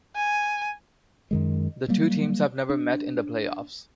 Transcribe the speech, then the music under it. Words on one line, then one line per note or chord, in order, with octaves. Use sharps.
The two teams have never met in the playoffs.
G#5
F#2 D#3 G#3
F#3 G3 A#3
D4